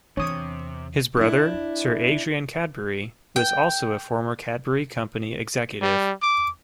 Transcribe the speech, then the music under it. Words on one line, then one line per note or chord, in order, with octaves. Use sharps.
His brother, Sir Adrian Cadbury, was also a former Cadbury company executive.
E2 C3 E3 D4 C#5 D#6
D4 E4
G5
G3
D6